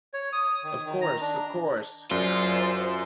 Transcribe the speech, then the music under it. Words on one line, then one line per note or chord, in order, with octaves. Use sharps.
Of course, of course!
C#5
D#6
D#3
D#3
A#5
D4
F#2 F4 G#4 A#4 C5 D5